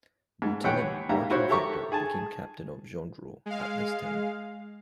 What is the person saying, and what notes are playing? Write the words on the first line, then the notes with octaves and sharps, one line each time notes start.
Lieutenant Martin Victor became captain of "Gendreau" at this time.
G#2
D#2 E3 C#5 F#5 G5
G#2 G4 E5 F5 A#5
E4 F#4 G4 C5 C#5
G4 A4 E5 A#5 C#6 D6
G#4 G#5 A5
G#3 F5